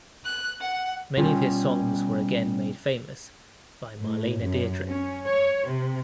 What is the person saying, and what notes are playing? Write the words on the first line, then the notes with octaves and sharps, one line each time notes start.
Many of his songs were again made famous by Marlene Dietrich.
F#6
F#5
B2 G3 C#4 F4 G#5
A2
F#2
C#4
C#5
C3